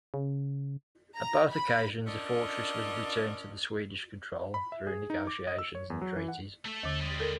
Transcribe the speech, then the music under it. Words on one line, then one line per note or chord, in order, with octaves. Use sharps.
At both occasions the fortress was returned to Swedish control through negotiations and treaties.
C#3
A#5
B5
C#4 D4 F4 A4 A#4 D#5
B5
E5
G#4
D#4
D6
D#5
E6
C#5
E2
F#3
E3
F#5
A3 A4
D#2 D3
G3 G#3
A4 A#4